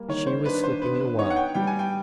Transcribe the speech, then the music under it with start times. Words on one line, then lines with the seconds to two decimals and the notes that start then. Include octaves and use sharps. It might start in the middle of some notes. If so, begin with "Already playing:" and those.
She was slipping away.
Already playing: G3 A#3
0.08 D#3 C#5
0.27 C5
0.45 D4 B4
0.63 C5
0.82 B3 B4
1.00 B4
1.18 D#4 C#5
1.30 F#5
1.36 G5
1.55 G3 G5
1.67 G#5
1.79 G5